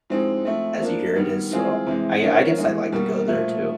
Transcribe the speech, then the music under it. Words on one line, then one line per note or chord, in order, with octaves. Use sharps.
as you hear it is, so, I I guess I'd like to go there too.
A2 F3 G#3 C4 D#4
F3 A3 C4
F3 A#3 D4
D#3 G3 B3
E3 G#3 C4 F4 G#4
C3 E3 G#3
D3 F3 A#3 C#4 F4
E3 G#3 B3
B2 G3 A#3
A#2 F3 A3